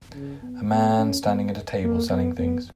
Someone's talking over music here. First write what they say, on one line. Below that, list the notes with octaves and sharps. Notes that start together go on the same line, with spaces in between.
A man standing at a table selling things.
C#3
B3
B3
C#4
B3
A#3
B3
B3